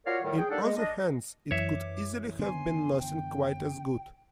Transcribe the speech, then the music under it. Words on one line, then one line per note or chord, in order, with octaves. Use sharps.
In other hands it could easily have been nothing quite as good.
F4 F#4 A#4 C#5 D5 F5
A2 D#3 G3
G#4 G5
G3 A#3 D4 D#4 A4 F#5
G#3
D4 D#5
F#2 E3 C#5 E5 D6
D3 B3 D4 G#5 C6
G5